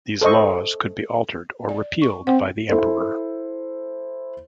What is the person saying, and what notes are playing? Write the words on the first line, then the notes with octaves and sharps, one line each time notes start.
These laws could be altered or repealed by the emperor.
A4 C5 D#5 C#6
D5
C#6
C4 C5 F#5
E4 A4 C5